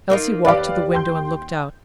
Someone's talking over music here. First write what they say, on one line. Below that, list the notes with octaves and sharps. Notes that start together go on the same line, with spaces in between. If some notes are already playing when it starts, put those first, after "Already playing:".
Elsie walked to the window and looked out.
A#3 D#4 F4
D#2 G4 B4 D5 F5
G5 C6 G6